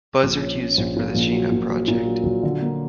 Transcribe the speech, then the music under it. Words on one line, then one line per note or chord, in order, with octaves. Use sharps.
Buzzard uses it for the Xena project.
A#1
C#4
C#4
A#1
A#2
A#1
F#3
A#2
F#3
A#2
F#3
F#3
D3
A#3